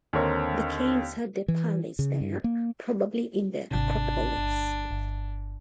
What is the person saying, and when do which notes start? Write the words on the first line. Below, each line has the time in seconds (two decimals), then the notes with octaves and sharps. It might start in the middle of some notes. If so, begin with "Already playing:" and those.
The kings had their palace there, probably in the acropolis.
0.13 D#2 D3 C4 A#4 C#5
1.48 E3
1.99 C#3
2.21 G2
2.44 A#3
3.71 G#1 C3 D4
4.36 G1
4.91 G1